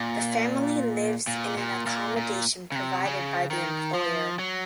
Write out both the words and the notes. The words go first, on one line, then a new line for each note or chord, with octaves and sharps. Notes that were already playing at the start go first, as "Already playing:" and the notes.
The family lives in an accommodation provided by the employer.
Already playing: A#2
A#2
A#2
A#2
A#2
C#3
C3
C#3
D#3
F3
F#3